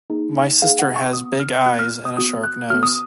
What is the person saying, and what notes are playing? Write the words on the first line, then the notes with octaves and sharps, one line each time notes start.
My sister has big eyes and a sharp nose.
A#3 D#4 G#4
A#3 D#4 G#4 F5
F#5
C#6
B3 F#4 D#6
F6
B3 F#4 F#6
F6
D#6
B3 F#4 D#6
F#6
B3 F#4 F6
D#6